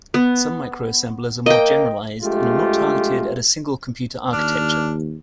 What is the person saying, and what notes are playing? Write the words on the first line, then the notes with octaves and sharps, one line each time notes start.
Some microassemblers are more generalized and are not targeted at a single computer architecture.
B3
A#3 D#5 G5
A#1 G#3 A3 F4 G4
D#2 D4 F6